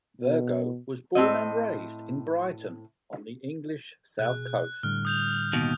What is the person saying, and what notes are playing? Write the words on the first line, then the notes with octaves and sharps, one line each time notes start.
Virgo was born and raised in Brighton, on the English South Coast.
B2
A2 C4 D#5
B2 G#4 F#6
A2 D3 G3 F6
D#6 G6 F7
D#2 B2